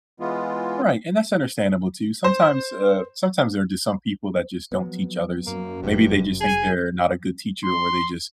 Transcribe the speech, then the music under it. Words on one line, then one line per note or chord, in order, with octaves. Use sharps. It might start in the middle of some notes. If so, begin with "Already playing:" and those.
Right, and that's understandable too. Sometimes, uh, sometimes there are just some people that just don't teach others. Maybe they just think they're not a good teacher or they just
E3 G#3 B3 F4
C5
F3 F#3 B3
F#2 A#3
F1 G2
G#4 G#5
C6